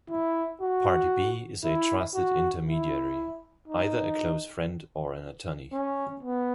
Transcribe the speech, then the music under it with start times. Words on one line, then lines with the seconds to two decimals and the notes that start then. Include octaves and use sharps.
Party B is a trusted intermediary, either a close friend or an attorney.
0.10 E4
0.60 F#4
1.64 E4
2.14 F#4
2.66 E4
3.68 D#4
5.72 C#4
6.23 B3